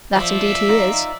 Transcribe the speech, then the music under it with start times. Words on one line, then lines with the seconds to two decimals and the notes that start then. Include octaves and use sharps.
"That indeed he is."
0.16 F3 D5 E5
0.69 D#4 F4 A#5